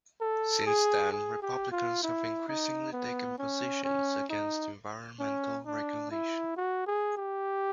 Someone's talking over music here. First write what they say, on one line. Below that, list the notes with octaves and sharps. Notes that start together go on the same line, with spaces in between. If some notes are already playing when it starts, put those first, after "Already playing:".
Since then Republicans have increasingly taken positions against environmental regulation.
A4
G#4
G#4
G4
F4
E4
D#4
B3
C#4
C#4
D#4
C#4
D4
E4
F#4
G#4
G4